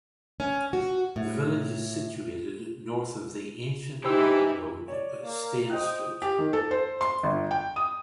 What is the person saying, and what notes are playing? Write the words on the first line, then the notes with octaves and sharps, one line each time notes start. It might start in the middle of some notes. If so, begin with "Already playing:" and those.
The village is situated north of the ancient Roman road Stane Street.
C#4
F#4
A2
E3 D#4 E4 G4 C5 E6
C#5 D5
A#3
C5 D#5 G5 D#6 F#6
G4
D#3
A4
C5
C6
G1
G5
D#6